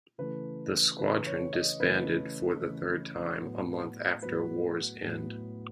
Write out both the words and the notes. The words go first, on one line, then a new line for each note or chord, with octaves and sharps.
The squadron disbanded for the third time a month after war's end.
C#3 E3 A3 B4
C#3 E3 A3 B4
C#5
D#5
C#3 E3 A3 B4
C#3 E3 A3
A2 F#3 B3
A2 F#3 B3 B4
A2 F#3 B3